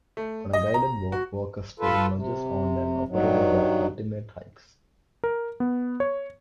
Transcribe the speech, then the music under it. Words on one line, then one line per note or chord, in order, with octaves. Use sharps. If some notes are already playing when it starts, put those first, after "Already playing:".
On a guided walk, walkers stay in lodges owned and operated by Ultimate Hikes.
A3
D#5
A#5
F#4
F4 A4 B4
C3
G2 D#3 F#3
A#4
B3
C#5